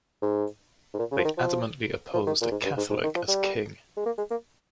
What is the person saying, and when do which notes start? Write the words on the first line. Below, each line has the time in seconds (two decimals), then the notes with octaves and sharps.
They adamantly opposed a Catholic as king.
0.22 G#2
0.94 G#2
0.99 A#2
1.12 C#3
1.19 F3
1.25 D#3
1.37 F3
2.13 F3
2.27 D#3
2.41 A#2
2.52 G#2
2.65 G2
2.77 G#2
2.90 G#2
3.04 D#3
3.16 F3
3.28 G3
3.97 G#3
4.06 A#3
4.18 G#3
4.31 A#3